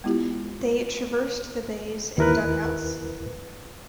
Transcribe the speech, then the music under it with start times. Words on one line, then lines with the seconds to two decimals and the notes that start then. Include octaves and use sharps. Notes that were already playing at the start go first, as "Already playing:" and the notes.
They traversed the bays in dugouts.
0.04 G#3 B3 E4 F4 G4
2.18 D#2 E4 A#4 B4 F#6